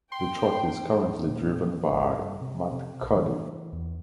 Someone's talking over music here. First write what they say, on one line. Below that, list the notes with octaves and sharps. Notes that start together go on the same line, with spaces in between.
The truck is currently driven by Matt Cody.
G5 C6
A#2
G#1
G2
C3
C3
B1
E3
E2